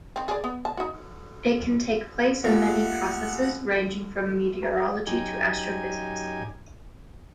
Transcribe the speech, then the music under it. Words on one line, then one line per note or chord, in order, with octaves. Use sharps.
It can take place in many processes, ranging from meteorology to astrophysics.
D#3 C4
G#4 A4 D5
B3
A5
D#4 F#4
C#2 G3 A3 A#3 F#5
F#2 D#4 G4 G#5